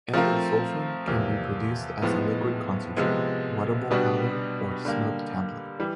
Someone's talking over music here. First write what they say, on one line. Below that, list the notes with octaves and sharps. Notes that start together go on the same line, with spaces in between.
Endosulfan can be produced as a liquid concentrate, wettable powder or smoke tablet.
F3 A3 C4 F4 A#4
E2 C3 F3 A#3
A2 F3 G#3 B3 D#4
C3 F3 G#3 B3
B2 G3 B3 D4 F#4
D3 G3 A#3
E3 G3